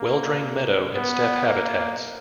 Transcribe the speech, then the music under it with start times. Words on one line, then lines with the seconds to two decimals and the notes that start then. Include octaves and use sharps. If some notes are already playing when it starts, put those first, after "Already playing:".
Well-drained meadow and steppe habitats.
Already playing: A#3
0.96 B3
1.48 A#3